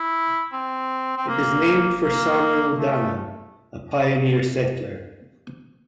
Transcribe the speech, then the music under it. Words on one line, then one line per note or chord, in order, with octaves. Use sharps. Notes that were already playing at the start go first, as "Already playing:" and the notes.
It is named for Samuel Dana, a pioneer settler.
Already playing: E4
C4
C4
A#3
A#3
A3